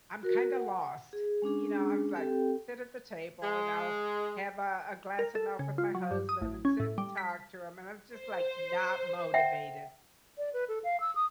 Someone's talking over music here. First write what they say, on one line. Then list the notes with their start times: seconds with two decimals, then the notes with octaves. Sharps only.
I'm kinda lost, you know, I was like, sit at the table and I'll have a a glass of milk with my husband, and sit and talk to him, and I'm just, like, not motivated,
0.23 F#4 A#4
0.55 F#5
1.13 G#4
1.42 G#3 C#4 D4 G#4
2.16 C4 G4 A4 G5
3.42 G#3
5.19 A#4
5.35 A4
5.59 C#3
5.78 F4
5.95 F#3
6.11 G2
6.29 D#6
6.42 A1
6.65 C#4
6.80 A2
6.98 G3
7.17 B6
8.15 C5
9.34 E5 F#5 G5
10.38 D5
10.53 B4
10.68 A4
10.84 F5
11.00 E6
11.15 D#6